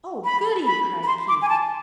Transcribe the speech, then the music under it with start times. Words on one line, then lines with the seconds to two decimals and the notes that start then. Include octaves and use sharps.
"Oh, goody!" cried Keith.
0.25 B5
0.66 B5
1.03 B5
1.07 C6
1.28 D6
1.42 G#5
1.49 A5